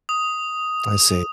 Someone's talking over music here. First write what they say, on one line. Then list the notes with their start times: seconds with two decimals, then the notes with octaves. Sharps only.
I see.
0.09 D#6